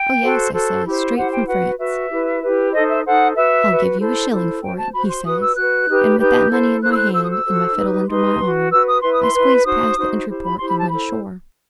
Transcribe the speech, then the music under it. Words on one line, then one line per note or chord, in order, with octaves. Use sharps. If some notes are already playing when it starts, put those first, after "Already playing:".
"Oh yes!" I says, "straight from France." "I'll give you a shilling for it," he says, and with that money in my hand and my fiddle under my arm I squeezed past the entry-port and went ashore.
Already playing: G5
F#4 A4 C5
F#4 A4 C5
E4 G4 C5
E4 G4 C5 F#5
G5
F#4 B4 F#5
F#4 B4 E5
E4 G4 B4
E4 G4 B4
D#4 A4 C5 D#5
E5
D#4 A4 C5 F#5
F#4 B4 E5
F#4 B4
E4 A4 C5
E4 A4 C5
F#4 C5 G5
A5
F#4 C5 B5
C6
F#4 B4 D#6
E6
F#4 F#6
B4
D#4 G4 B4
D#4 G4 B4 G6
E4 A4 C5
E4 A4 C5 F#6
E6
F#6
F#4 A4 C5 E6
D#6
E6
F#4 A4 C5
D#4 G4 B4
D#4 G4 B4 C6
F#4 B4
F#4 B4 E6
D#6
E4 B4 C6
D#6
C6
E4 B4
D#4 F#4 C5 D#6
D#4 F#4 C5
E4 G4 C5
B5
E4 G4 C5 C6
B5
A5
E4 A4 C5 B5